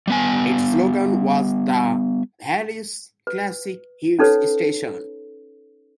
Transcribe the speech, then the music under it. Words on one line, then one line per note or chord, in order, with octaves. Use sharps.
Its slogan was The Valley's Classic Hits Station.
G3 B3 G#5
B4
C#4 D#4 A4 B4 C#5